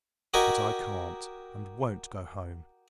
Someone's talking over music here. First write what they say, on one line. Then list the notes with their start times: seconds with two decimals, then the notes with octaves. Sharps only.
But I can't, and won't, go home.
0.34 F#4 G4 A#4 D#5 G#5